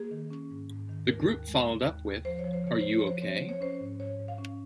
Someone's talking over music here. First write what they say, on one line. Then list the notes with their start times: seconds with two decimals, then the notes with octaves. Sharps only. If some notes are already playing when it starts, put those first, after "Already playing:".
The group followed up with Are You Okay?
Already playing: A#3 G#4
0.11 D#3
0.30 C#4
0.51 G#2
0.70 G#2
0.89 D#3
1.08 D#2 A#4
1.28 D#2
1.48 G#3
1.67 C#3
1.86 D#2
2.06 D#2
2.25 F3 C5
2.39 C#5
2.44 F3
2.53 C5
2.64 C#3 C#5
2.81 C#3 C5
2.93 C#5
3.02 F3
3.07 C5
3.22 C4 C#5
3.35 C5
3.42 F#3
3.49 C#5
3.61 C#4 C5
3.81 G#2
3.99 G#2 C#5
4.19 G#2
4.28 F5
4.38 C#4